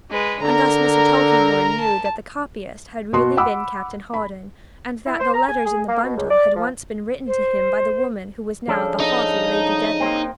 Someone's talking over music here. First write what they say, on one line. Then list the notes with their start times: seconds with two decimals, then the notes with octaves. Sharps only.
And thus Mr. Tulkinghorn knew that the copyist had really been Captain Hawdon and that the letters in the bundle had once been written to him by the woman who was now the haughty Lady Dedlock.
0.11 G#3 B4
0.42 D3 A#4 A#5
1.80 A5
3.13 B2 F#4 C6
3.37 F#5 B5 D6 E6
4.14 B5
5.06 E4
5.20 C5
5.33 A#5
5.48 G#5
5.66 G#4
5.88 A#3
6.03 B2
6.17 C#2
6.30 D5
6.55 F3
7.27 C5
8.68 C#3 F3 D4 A4
9.00 D#4
10.00 A#3 C4